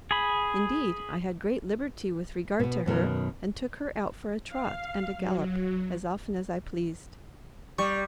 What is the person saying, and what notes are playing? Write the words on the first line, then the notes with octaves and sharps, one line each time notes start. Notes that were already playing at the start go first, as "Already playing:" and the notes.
Indeed, I had great liberty with regard to her, and took her out for a trot and a gallop as often as I pleased.
G#4 B5
B2 B3
F#2 B2 D#3 A#4
F5
F#3
G3 C#6